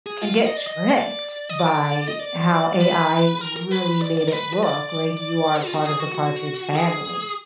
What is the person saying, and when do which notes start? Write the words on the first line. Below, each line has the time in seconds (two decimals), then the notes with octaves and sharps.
can get tricked by how AI really made it look like you are part of the Partridge family.
0.06 G#4
0.22 F4
0.47 D#5
0.57 D5
0.67 D#5
0.90 D#5
0.97 D5
1.49 D#5
1.59 D5
2.08 D#5
2.19 D5
2.80 B4
3.41 A#4
3.57 A#4
3.71 B4
4.02 D5
4.17 D5
4.27 A#4
4.32 B4
4.54 B4
4.63 D5
5.64 F4
5.75 F#4
5.84 G#4
6.00 F#4
6.15 F#4
6.75 G#4